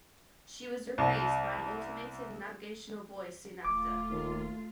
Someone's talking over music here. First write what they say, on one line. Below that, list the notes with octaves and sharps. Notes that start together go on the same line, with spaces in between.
She was replaced by an automated navigational buoy soon after.
C2
D#1 A3 F4 D6
D#2